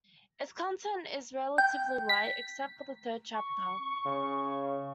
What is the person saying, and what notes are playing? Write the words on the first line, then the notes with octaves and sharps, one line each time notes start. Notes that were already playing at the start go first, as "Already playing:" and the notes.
Its content is relatively light, except for the third chapter.
G5
B6
C#6
C#3